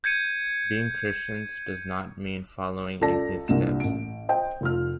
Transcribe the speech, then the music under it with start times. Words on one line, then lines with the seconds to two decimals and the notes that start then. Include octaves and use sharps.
Being Christians does not mean following 'in his steps.
0.04 G6 G#6 C#7 D#7
3.01 C#2 F4 A4 D5 A5 A#6
3.48 C2 G2 A#2 E7
3.80 A1 D7
4.29 C5 D#5 G5
4.61 F1 F4 F6